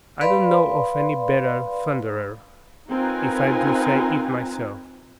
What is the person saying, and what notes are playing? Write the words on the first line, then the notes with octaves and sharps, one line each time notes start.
"I don't know of any better thunderer if I do say it myself."
B4 D5 F5 B5 C6
C4 D#4 F4 A#4 B4 G#5